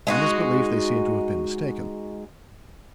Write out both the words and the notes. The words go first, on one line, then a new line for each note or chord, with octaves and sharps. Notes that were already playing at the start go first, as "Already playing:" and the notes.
In this belief they seem to have been mistaken.
G#3 D#4 F#4